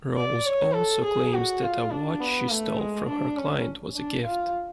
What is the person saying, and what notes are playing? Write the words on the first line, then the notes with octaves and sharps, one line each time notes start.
Rose also claims that a watch she stole from her client was a gift.
D5
C#5
A4
G#4
F#4
F4
D4
B3
A3
G#3
D4
C#4
D4
F4